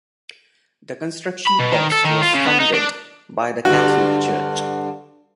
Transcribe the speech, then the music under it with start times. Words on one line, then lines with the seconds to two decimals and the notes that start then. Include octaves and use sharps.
The construction cost was funded by the Catholic Church.
1.47 B5
1.60 B2
1.72 D#3
1.92 A4
2.05 D#3
2.22 F4
2.35 C#3
2.46 B3
2.60 D#4
2.74 D4
3.65 G2 D3 F#4